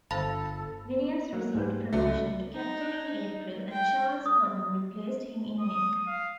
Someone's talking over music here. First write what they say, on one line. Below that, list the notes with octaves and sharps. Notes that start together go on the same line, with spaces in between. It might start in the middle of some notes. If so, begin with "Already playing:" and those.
Williams received promotion to captain in April, and Charles Cotton replaced him in May.
G1 A4 C5 F5 A5 B5
F#3 A#3
G#2 G3 B4
C#2 F#3 A3 D5
D#4
G5
D#6
D#6
F5